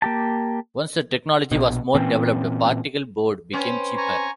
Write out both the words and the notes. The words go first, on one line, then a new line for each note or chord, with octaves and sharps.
Once the technology was more developed, particle board became cheaper.
A#3 G4 A5
A#1 B2
A#2 E3 C4 C#4
C4 C#4 B4
G#5 A#5 C#6